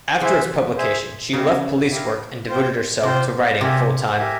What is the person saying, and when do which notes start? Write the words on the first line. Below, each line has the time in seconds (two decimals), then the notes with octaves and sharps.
After its publication, she left police work and devoted herself to writing full-time.
0.21 E3 G#4 C5 E5 G#5
0.77 G#4 C5 E5 G#5
1.33 C#3 E4 G4 A#4 F5
1.90 E4 G4 A#4 F5
2.48 F4 C5 G5
3.03 C3 F4 C5 G5
3.61 C3 G4 A#4 E5 G#5
4.17 G4 A#4 E5 G#5